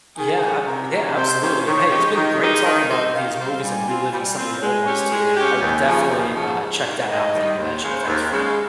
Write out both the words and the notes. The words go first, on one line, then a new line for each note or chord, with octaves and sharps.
Yeah, ab yeah absolutely and hey, it's been great talking about these movies and reliving some of the old ones to ya, and I will definitely, uh, check that out that you mentioned, thanks for that.
D#3 G#4
G3 C#4 G4 C#5
C3 A#4
D#3 A#3 C#4 G4
C3 C5
D#3 A#3 C#4 G4
D#3 C#5
G#3 D#4 G4
D#3 D#5
G#3 D#4 G4
D#3 D#5
G3 C4 G4 C5
D#3 F5
G3 C4 G4 C5
G3 G#5
C4 F4
G3
C4 F4
G#3 G#5
C#4 G4
G#3 G#5
C#4 G4
D#2 G#5
C#3 F3
D#2
C#3 F3
G#2
D#3 G3
G#2 D#5
D#3 G3
D#2 C5
C#3 G#3
D#2
C#3 G#3